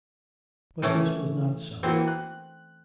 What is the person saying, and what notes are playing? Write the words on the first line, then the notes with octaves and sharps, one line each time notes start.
But this was not so.
E3 A3 C#4
E3 A#3 C4 F#4
F#6